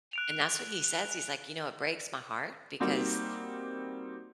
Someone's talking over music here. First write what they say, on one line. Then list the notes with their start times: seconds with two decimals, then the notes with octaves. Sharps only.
And that's what he says, he's like, you know, "It breaks my heart," because
0.13 F#6 D7 F7
2.80 G3 A#3 C4 D#4 F#4